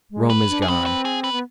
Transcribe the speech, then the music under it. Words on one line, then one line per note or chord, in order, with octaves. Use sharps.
Rome is gone.
G#3
B4
D4
G#4
C4 B4
B4
G#4
B4
B3